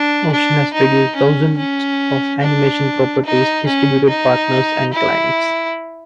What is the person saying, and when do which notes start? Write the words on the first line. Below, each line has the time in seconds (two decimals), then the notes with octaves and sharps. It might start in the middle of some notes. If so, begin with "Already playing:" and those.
Ocean has produced thousands of animation properties distributed partners and clients.
Already playing: D4
0.32 D4
0.73 D#4
1.16 C#4
1.57 C#4
2.40 D4
3.25 D#4
3.66 C#4
4.09 D#4
4.93 E4